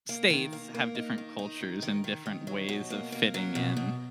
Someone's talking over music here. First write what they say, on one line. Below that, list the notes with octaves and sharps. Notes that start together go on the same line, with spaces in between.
states have different cultures and different ways of fitting in.
A#3
D#3
A#3
A#3
D#4
D#3
D#4
D#3
D#3
D#3
D#3
F#3
B2
A#3
A#3
F#3
B2
B2